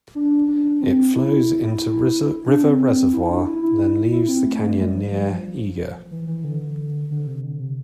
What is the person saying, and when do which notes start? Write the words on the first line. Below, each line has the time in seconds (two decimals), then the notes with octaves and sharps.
It flows into River Reservoir, then leaves the canyon near Eagar.
0.15 D4
0.48 D4
0.81 C4
1.15 E4
2.47 D4
2.63 C4
3.13 E4
3.29 D4
3.46 E4
3.63 E4
4.12 E4
4.29 C4
4.45 A3
4.78 G3
4.95 F3
5.12 F3
5.21 G3
5.32 F3
6.11 E3
6.27 E3
6.44 D3
7.11 D3
7.27 C3
7.43 D3
7.60 C3